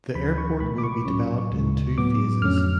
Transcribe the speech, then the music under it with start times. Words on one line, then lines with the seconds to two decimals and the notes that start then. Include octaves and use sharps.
The airport will be developed in two phases.
0.15 D2 D3 F3 B5
0.38 C#6
0.60 C#2 B2 A3 B5
0.78 D6
0.83 C#6
1.06 A2 F#3 C#4
1.52 D2 C#3 G#3
1.97 A2 F#3 B3 D6
2.42 F2 D3 F#3 A3 C#4 F6
2.58 F6